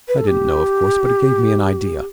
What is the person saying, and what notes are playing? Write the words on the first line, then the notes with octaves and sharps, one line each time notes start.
I didn't know, of course, but it gave me an idea.
B4
A4
G4